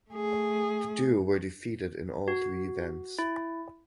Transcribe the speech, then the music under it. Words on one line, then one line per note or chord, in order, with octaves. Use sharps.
The duo were defeated in all three events.
A3 G#4
F#4
E4